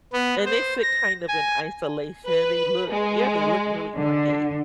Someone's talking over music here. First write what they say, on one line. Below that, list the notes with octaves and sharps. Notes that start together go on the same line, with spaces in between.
And they sit kind of in isolation. They look yeah, they look really ornate.
B3
C5
A#6
G#5
B4
G#3
D3